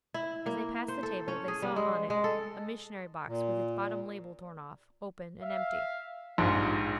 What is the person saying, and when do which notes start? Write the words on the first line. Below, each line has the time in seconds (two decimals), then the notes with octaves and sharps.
As they passed the table they saw on it a missionary-box with its bottom label torn off, open and empty.
0.14 E4
0.46 A#3
0.88 C5
1.03 A4
1.28 C#4
1.48 G#4
1.62 G3
1.76 G#3
2.10 G#3
2.24 A4
3.27 A#2
5.41 E5 F5
6.38 A#1 G#2 G3 F4